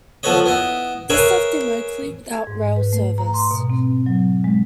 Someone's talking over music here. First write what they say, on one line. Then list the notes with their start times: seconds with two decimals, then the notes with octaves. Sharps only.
This left Immokalee without rail service.
0.23 F3 B3 A4 B4 C#5 D#5
0.46 B3 E4 D#5
1.10 G#4 A#4 B4 C#5 E5 G#5
2.31 G#6
2.47 G#2
2.76 B4
2.93 A3
3.18 A#5
3.34 C6
3.51 B2
3.70 C4
4.06 F#3
4.44 G#3